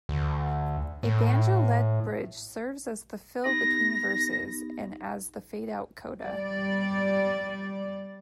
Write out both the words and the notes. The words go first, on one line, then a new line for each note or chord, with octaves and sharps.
A banjo-led bridge serves as the fill between verses and as the fade-out coda.
D2
A2
B3 D#4 G4 A#6
G3 D5